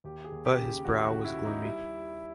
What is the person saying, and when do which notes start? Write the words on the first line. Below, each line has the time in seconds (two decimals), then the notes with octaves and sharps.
But his brow was gloomy.
0.04 D#2 G4
0.24 G#4
0.32 D#2
0.45 G4
0.59 C#3
0.85 D#2 F#4
1.04 F#4
1.12 C#3
1.25 E4
1.39 D#2
1.45 D#4
1.65 G3 E4